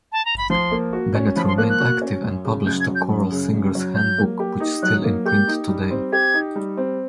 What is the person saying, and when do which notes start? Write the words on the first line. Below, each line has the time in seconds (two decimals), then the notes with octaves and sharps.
Bennett remained active, and published the "Choral Singer's Handbook" which still in print today.
0.12 A5
0.25 A#5
0.37 B5
0.50 F3 C6
0.72 A#3
0.93 F#4
1.15 C#4
1.36 F3 B5
1.48 C6
1.58 A#3 F#6
1.69 F#6
1.80 F#4
2.01 C#4
2.23 F#2
2.45 C#3
2.66 F#2 G6
2.80 G#6
2.88 F#3
2.95 G6
3.10 F#2
3.32 C#3
3.53 F#2
3.75 F#3
3.95 F#3 G6
4.18 A#3
4.40 G4
4.60 D#4
4.83 F#3 F#6
5.04 A#3
5.25 G4 G6
5.48 D#4
5.69 G3
5.91 C4
6.12 G4 G#6
6.34 D#4
6.56 G3
6.77 C4